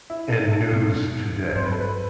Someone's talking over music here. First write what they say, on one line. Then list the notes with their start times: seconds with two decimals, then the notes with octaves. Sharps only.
in news today?
0.10 E4
0.30 A4
0.51 A4
0.72 B2 F#3 C4
1.55 G2 F#3 C4 C5
1.64 B4
1.71 A4
1.80 B4